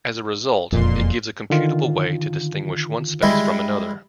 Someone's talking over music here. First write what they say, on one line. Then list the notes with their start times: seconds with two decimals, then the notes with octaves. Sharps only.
As a result, it gives a computable way to distinguish one space from another.
0.72 E1 F2 A#2 C6
1.50 D3 D#3 F4
3.22 G3 G#3 E4